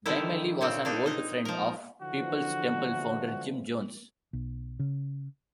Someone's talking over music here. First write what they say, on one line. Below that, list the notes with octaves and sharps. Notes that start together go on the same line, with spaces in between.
Dymally was an old friend of Peoples Temple founder Jim Jones.
D3 D#3 G3 E4
A#2 C#3 C4
A#3 D4 D#4
D#4 D#5
F3 A#4
D3 E3 F3 F#4
B1
C#3